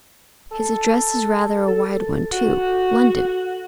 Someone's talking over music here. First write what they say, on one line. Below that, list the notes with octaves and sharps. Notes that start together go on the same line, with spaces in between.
'His address is rather a wide one, too--London!
A4
A4
F#4